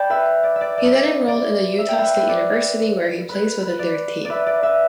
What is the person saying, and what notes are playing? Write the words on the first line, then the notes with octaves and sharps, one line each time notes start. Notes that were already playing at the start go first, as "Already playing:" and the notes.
He’s then enrolled in the Utah State University where he plays within their team.
Already playing: D5 G5 A5 B5
B4 E5
D5
E5
D5
D5
D5
D5
E5
G5
B4 E5
B4
D5
B4
B4
D5
B4 D5 E5
D5
B4 E5